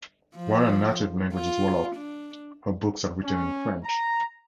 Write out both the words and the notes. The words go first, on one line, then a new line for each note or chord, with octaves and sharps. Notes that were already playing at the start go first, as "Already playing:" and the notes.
While her native language is Wolof, her books are written in French.
F3
F4
D4
C#4
A#5